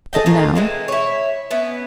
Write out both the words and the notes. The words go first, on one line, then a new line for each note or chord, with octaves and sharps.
But now?
G#4 A4 D#5 G5
A2 F4 A#4
E3 G#3 C4
E4 C#5
B3 C#4 E4